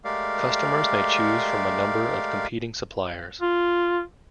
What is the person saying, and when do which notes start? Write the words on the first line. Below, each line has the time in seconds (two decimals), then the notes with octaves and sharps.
Customers may choose from a number of competing suppliers.
0.04 G#3 A3 G4 A#4 D5 F5
3.42 F4